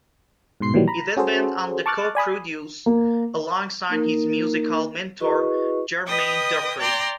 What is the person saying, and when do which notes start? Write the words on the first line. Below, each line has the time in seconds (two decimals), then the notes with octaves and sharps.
He then went on to co-produce alongside his musical mentor Jermaine Dupri.
0.60 G#2 B2 C6 C7
0.74 A#2 D#3 E3 F#3 G3
0.88 A#5 B5
1.17 C#4 F#4 G#4 A4 C5
1.86 A5 C#6 D6 F6 F#6 A6
2.15 D5 G#5 B5 D#6
2.86 A#3
3.89 A#3 D#4 A#4
5.20 E4 F#4 G#4 B4 D#5 C#6
6.07 B4 D#5 G5 D#6
6.78 D5 G5 A#5 C6